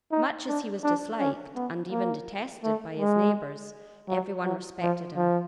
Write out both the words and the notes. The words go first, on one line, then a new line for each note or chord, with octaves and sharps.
Much as he was disliked, and even detested, by his neighbors, everyone respected him.
D#4
D4
D4
C#4
B3
A#3
A3
G#3
F#3
F#3
F3
F3